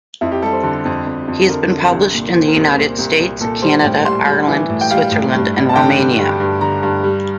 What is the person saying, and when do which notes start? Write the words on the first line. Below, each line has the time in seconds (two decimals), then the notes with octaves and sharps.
He has been published in the United States, Canada, Ireland, Switzerland and Romania.
0.21 F2 E4
0.32 G4
0.42 G3 A4
0.53 C5
0.63 D3 A4
0.85 F2
1.07 F2
1.28 F2
1.49 D3 A#4
1.71 D3
1.92 C2
2.14 A#2
2.35 A#2 C5
2.48 A#4
2.56 C2 C5
2.77 A#2
2.99 C2
3.20 C2
3.41 A#2 A4
3.62 G3 C5
3.84 A2 G5
4.05 G3 C6
4.27 G3
4.48 E3
4.70 A2
4.81 G5
4.91 G3 F5
5.12 A2
5.33 G2
5.54 G3
5.69 A5
5.76 D3 G5
5.97 G3
6.19 G2
6.40 G2
6.61 D3 A#5
6.83 G2
7.04 G3